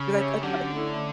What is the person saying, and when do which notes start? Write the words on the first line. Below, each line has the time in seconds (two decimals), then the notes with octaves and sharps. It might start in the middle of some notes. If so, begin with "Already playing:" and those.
'cause I I just wanna
Already playing: C#3
0.14 C#4 G4 C#5 E5
0.43 D3 F#3 C#4 G4 D5
0.72 A3 C#4 E4